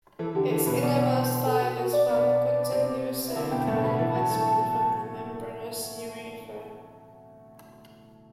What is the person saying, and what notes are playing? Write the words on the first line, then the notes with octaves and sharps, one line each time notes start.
Its innermost fibers form a continuous circular investment for the membranous urethra.
E3 A4
D3 G4
E3 A4
B2 B3 B4
B2 B3 D5
C5
A4
F#4
F#4
D5
B2 B3
C3 C4
E4
D3 D4 E5
B2 B3 G5
A2 A3 A5
B2 B3 B5
E3 E4 A5
F#3 F#4
A3 A4